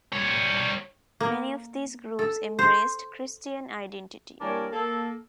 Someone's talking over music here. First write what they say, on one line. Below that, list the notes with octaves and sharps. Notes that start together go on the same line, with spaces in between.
Many of these groups embraced Christian Identity.
G3 C#5
A#3
A4
C5
E3 G3 A#3 D4 A#4 C#5
A#3 A4